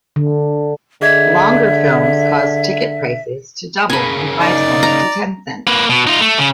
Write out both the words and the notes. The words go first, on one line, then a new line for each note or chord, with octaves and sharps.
Longer films caused ticket prices to double from five cents to ten cents.
D3
D3 G#4 D#5 E5 G#6
C#3 A#3 G#5 B5
D#4 D5
A#5
A#3 B4
B2
D#4 F4
A3
C#3